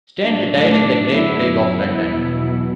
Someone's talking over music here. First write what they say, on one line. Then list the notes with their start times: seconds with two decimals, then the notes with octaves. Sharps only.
Stent died in the Great Plague of London.
0.24 A2 F#3 A3 D4
0.69 A3 D4
1.12 F#2 D3 F#3 B3 E4
1.57 B3 E4
2.01 E2 B2 F#3